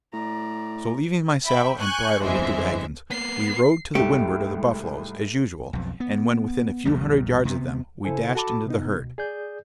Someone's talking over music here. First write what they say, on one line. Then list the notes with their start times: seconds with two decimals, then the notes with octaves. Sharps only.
So, leaving my saddle and bridle with the wagons, we rode to the windward of the buffaloes, as usual, and when within a few hundred yards of them we dashed into the herd.
0.13 A2 D5 A#5
1.45 E5 G5 B5
1.78 G#5 C#6 F#6 G6
2.23 G1 F2 E3 G#3 C5 E5
3.10 A#3 B3 C7
3.95 C2 G#2 A3 G4
5.73 B1 F2
6.00 B3
6.85 A#1 E2 A#2 G3
7.45 C3 B3
8.05 C#3 E4 A4 C5 G#5
8.35 F#4 A4 A5 B5 D6
8.66 C3 B3 D#4
8.99 B2
9.18 G#4 D5 G6